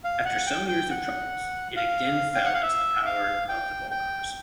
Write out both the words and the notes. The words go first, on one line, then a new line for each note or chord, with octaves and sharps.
After some years of troubles it again fell into the power of the Bulgars.
F5
F#5
G5
G5
F#5
F5
G5
F#5
F5
E5
F5
G5
G5